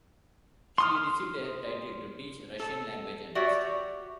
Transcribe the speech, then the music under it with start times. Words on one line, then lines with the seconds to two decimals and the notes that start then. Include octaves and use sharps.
She received a title to teach Russian language and history.
0.78 C6 D#6 F6
2.59 A4
3.35 F#4 G4 C#5 D5 E5